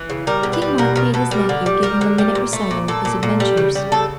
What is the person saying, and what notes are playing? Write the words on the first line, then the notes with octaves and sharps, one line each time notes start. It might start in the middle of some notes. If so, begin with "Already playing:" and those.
King Mark made his nephew give him a minute recital of his adventures.
Already playing: E3
C#3
G3 A#4
B2
B4
G3
B2 A#4
B2 A#4
B2 A4
G3 A#4
D3
G3
G3 A#4
D3
G3
A#2
A3
A#2
A#2 A4
A#2
A#2
G3
C#3
G3
C#3 A4